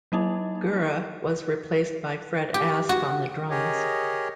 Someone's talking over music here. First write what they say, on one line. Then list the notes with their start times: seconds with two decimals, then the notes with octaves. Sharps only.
Gurra was replaced by Fred Asp on the drums.
0.12 F#3 A#3 D#4 E4
2.54 G4
2.89 F#4
3.50 G4 G#4 A#4 C#5 D#5